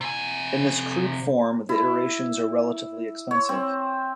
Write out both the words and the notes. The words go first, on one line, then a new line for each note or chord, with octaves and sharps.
In this crude form the iterations are relatively expensive.
C3 G#5
E4
C#5
C4